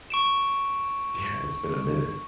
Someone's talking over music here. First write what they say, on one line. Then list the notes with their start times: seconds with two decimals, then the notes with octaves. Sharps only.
Yeah, it's been a minute.
0.10 C#6 D7 E7